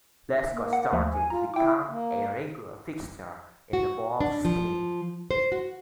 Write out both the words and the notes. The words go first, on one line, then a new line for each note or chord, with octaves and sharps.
Lescott started to become a regular fixture in the Wolves' team.
A#3
F#5
D#2 F3 A3
G#5
F4 A#5
E4 G5 D6
A#3
F#4
D4
F3
C5
F#4